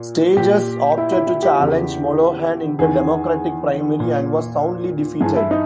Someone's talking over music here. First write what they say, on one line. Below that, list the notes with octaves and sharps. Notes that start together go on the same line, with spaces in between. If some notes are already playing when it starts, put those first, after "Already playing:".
Staggers opted to challenge Mollohan in the Democratic primary, and was soundly defeated.
Already playing: A#2
A#2 G4
E4
E4
E4
G4
E2 C#3 E3
E2 D#3 G#4
A#2
G2 E3 G#4
E4
D#4